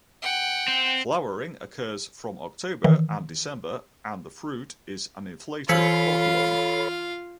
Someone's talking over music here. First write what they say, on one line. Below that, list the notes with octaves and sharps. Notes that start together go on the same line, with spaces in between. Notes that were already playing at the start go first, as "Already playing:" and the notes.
Flowering occurs from October and December and the fruit is an inflated pod long.
F#5 G5
C4
D#3 E3
E3 F4 A4 C#5 F5 B5 B6 C#7